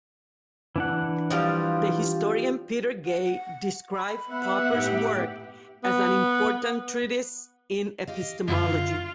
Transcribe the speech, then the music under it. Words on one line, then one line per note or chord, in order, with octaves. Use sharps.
The historian Peter Gay described Popper's work as "an important treatise in epistemology".
E3 D4 F#5
F3 G3 F5
F#5
B5
B3 E5 F#5
A2 D#4 G4
B3
G4 D#5 F5
F#2 D3 F4 F#4